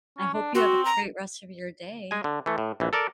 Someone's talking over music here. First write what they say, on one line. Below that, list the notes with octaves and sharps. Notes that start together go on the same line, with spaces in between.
I hope you have a great rest of your day.
C#4
D4
C4 F#4
A#5
G#3 G#5
D3
E3 A3
A2
A#1 E3
A4 A#4 D5